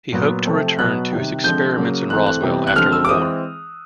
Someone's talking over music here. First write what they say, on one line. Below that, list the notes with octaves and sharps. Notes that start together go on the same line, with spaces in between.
He hoped to return to his experiments in Roswell after the war.
A#2 F#3 B3
C3 F3 A3 C4
B2 F#3 B3 F#6
C3 D#3 G3
D3 F3 G#3 C4 G6
C#3 F#3 A#3
E3 A3 C4 F#6
F#6
C3 E3 G3 B3
F#6
D3 F3 G#3 C4 F6
E6
D6
E3 G#3 C4 D#6